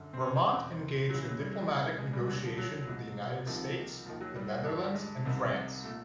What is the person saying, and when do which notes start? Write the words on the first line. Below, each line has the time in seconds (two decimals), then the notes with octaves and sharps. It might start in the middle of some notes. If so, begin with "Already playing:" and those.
Vermont engaged in diplomatic negotiations with the United States, the Netherlands, and France.
Already playing: F#2 D3
0.13 C4
0.20 C#4
0.35 C4
0.51 E2 B2
1.10 C#2 C#3 E3 F#3
1.24 F#3
1.40 G3
1.69 C2 B2
1.98 G#3
2.13 G3
2.28 D#2 D3 F#3
2.43 F3
2.58 F#3
2.87 C2 B2
3.46 C2 C3 D#3 F3
4.06 D#2 D#3 F3
4.21 F#3
4.36 G3
4.65 G2 D3
4.94 G#3
5.25 C2 C3 D#3
5.84 A#2 A3